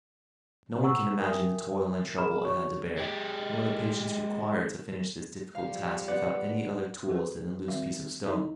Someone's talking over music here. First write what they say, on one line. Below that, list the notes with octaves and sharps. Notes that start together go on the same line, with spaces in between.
No one can imagine the toil and trouble I had to bear, nor the patience required to finish this difficult task without any other tools than a loose piece of stone.
F#5 A#5 C#6 E6
A#4 E5 G5 G#5 D#6
G#4 A#4 A#5 B5 F6 E7
F#4 C#5 C#6
G#3 G4
F3 G3 G4 F5
B3 D5 F#5
E3 F#4 G#4 A4 B4 C5
D#3 G3 C4 F#4 E5 F5
D#4 E4 A4 D#5 F5